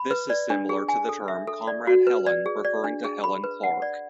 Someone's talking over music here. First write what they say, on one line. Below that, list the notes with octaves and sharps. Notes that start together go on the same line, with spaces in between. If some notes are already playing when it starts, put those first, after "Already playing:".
This is similar to the term "Comrade Helen", referring to Helen Clark.
Already playing: B5
B4
D5
D4
G#4
G#5
A4
E5
A4
D5
F#4
B4
D5
G#4
D5
D4
G#4
B5
B4
F#5
D5